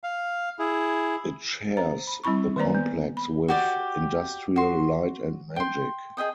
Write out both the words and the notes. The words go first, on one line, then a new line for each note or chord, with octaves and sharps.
It shares the complex with Industrial Light and Magic.
F5
E4 G#4
C5 A#5
B5
G3 C4 E4 B5 C#6
D#3 G#3 A#3 C5 D5 A#5
B3
B5
F#4 G4 D5
F#4 C6
G5 C6
G#4 D#5 G5 D#6